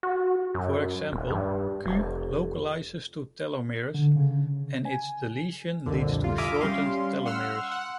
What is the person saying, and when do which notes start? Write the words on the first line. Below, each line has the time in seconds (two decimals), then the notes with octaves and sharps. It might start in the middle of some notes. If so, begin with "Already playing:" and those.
For example, Ku localizes to telomeres and its deletion leads to shortened telomeres.
0.03 F#4
0.54 F#2
1.12 D#1
1.30 G2
1.86 F1
3.94 D3
4.16 C#3
4.85 G#5
5.86 C2 F2 A#2 D3
6.22 C2 F4
6.38 E5 G#5 A#5 D6 D#6 F6
6.61 G3 C#4 F5 C6
7.26 F#5 C6 E6 F6
7.71 F#5